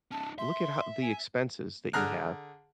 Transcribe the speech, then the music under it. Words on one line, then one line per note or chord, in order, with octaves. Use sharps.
look at how the expenses that you have
C#4 D#4 A5
E5 C6
G#5
D3 G#4 A#5 F6 F#6